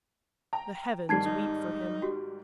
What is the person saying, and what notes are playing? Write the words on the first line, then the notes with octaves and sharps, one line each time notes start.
The heavens weep for him.
G5 A#5
G#2 D#3 G3 A5 G#6 C7
D#4
F#4 G4